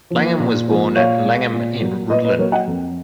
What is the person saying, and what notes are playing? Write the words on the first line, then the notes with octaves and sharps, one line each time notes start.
Langham was born at Langham in Rutland.
F3 A#3
A#2
F3 A#3
A#2 C#5 F5
G#3
A#2
F#3 A#3
A#2 B4 D#5
B4 D#5
F#3 A#3 A#4 C#5
D#5 F#5
F2